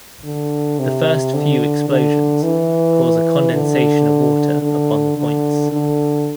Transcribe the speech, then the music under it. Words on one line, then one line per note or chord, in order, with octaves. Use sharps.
The first few explosions cause a condensation of water upon the points.
D3
C3
D3
D3
E3
D3
D3
D3
D3